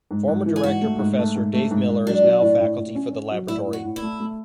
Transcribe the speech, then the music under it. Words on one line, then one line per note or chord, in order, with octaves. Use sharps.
Former director Professor Dave Miller is now faculty for the laboratory.
G#2
G#2
E3
G#4
G#2 F#4
A3
G#2
A3
G#2
A3
G#2
G#2
F#3 D4
F#3
A2
A2
A2
C#4
C#4
F#3
A2 E4
A2
F#4
A2
E4
A3
A3